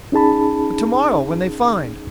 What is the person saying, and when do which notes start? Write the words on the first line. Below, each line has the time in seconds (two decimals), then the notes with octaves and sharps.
"But tomorrow when they find...."
0.12 C#4 D#4 G#4 A5 B5